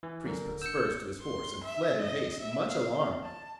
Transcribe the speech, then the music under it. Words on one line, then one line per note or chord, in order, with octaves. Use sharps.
The priest put spurs to his horse and fled in haste, much alarmed.
E3
D3 F#3 A#4
D#1
E6 G6 C#7
C6
E5
D#5
E5
F5
A5